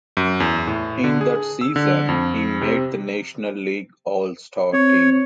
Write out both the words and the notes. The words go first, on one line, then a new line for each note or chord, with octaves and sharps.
In that season, he made the National League All-Star team.
F#2
E2
A2
D3
G#4
E6
D3
F2
C3
C4 C#5